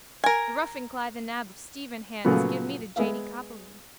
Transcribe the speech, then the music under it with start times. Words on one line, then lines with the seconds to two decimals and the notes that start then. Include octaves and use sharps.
The ruffin cly the nab of Stephen Hand as give me the jady coppaleen.
0.24 A#4 G#5
2.25 A#2 C#3 F3 F#3 A3 B3
2.96 G#3 B3 E5 F5